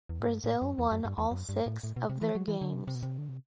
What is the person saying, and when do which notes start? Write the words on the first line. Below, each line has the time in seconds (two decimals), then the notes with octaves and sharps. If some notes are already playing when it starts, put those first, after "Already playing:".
Brazil won all six of their games.
0.09 E2
0.20 A2
0.27 G2
0.44 A2
0.62 F#2
0.78 E2
0.91 F#2
1.05 G2
1.18 E2
1.31 F#2
1.49 G2
1.66 A2
1.84 A2
1.96 B2
2.09 C3
2.21 E3
2.35 F#3
2.48 E3
2.61 D3
2.74 C3
2.87 C3
2.95 B2
3.03 C3
3.18 D3
3.29 C3